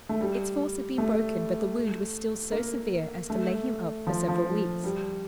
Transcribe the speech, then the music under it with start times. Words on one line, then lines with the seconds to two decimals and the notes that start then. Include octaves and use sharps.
Its force had been broken, but the wound was still so severe as to lay him up for several weeks.
0.09 A3
0.21 G3
0.98 A3
2.52 A#3
3.30 A3
4.07 F3
4.29 F3
4.84 G3